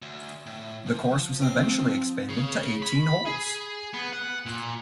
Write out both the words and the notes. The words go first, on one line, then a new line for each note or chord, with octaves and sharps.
The course was eventually expanded to eighteen holes.
D2
A2
F3
C4
C#3
B5
G#4
B3
F#5
A#2